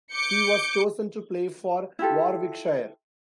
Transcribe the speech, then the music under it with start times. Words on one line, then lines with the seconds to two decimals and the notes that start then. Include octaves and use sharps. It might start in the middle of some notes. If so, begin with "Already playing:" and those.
He was chosen to play for Warwickshire.
0.13 D6 G6 C#7
1.99 E4 F4 G4 A4